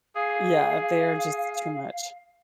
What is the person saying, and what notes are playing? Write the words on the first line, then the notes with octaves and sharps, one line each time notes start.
Yeah. They're just too much.
G#4 F5